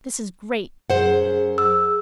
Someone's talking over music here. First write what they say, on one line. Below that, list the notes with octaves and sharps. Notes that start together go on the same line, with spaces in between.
This is great.
F#2 G#4 C5 F#5
E6